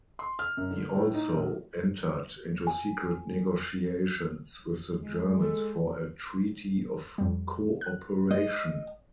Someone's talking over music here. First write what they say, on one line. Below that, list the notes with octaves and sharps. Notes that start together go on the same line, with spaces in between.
He also entered into secret negotiations with the Germans for a treaty of cooperation.
C6
F6
F#2
D3
A2
D#4
A#1
G#5
G#3
A4
F2 G3
F#6
G#3 D#5